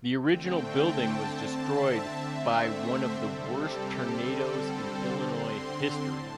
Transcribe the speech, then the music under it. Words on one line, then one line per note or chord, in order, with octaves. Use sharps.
The original building was destroyed by one of the worst tornadoes in Illinois history.
D3 A3 C4 G5
A5
D3 C4 A5
E5
D3 A3 C4
C5
C3 G3 C4 A4
G4
D3 G3 C4 A4
C5
D3 C4 C6
A2 A5